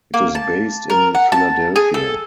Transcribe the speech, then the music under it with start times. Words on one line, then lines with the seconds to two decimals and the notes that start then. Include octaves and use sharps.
It is based in Philadelphia.
0.14 A#3
0.35 A5
0.90 A#4
1.15 F#5
1.32 A5
1.76 G#4
1.94 A4